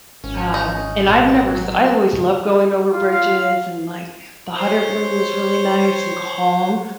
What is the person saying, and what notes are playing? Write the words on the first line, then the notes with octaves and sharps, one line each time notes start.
Um, and I've never s I always loved going over bridges and, like, the hot air balloon was really nice and calm.
G#1 C#4
D#4
A#2
F#3
F4
F5
C5 C#5